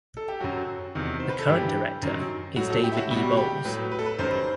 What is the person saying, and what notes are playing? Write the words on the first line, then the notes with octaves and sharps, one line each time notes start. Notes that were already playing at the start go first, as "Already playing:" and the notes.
The current director is David E. Bowles.
A4
G4
F#2 F#3 F#4
E2 C3 D#3
C5
B4
A4
G2 E3 G3 G4
F#2 D#3 F#3
A2 F#3 F#4
A4
G4
E4
F#4
B2 G3 F#4
G4
A2 F#3 B4
B4
A4
B4
F#2 D#3 G3 C5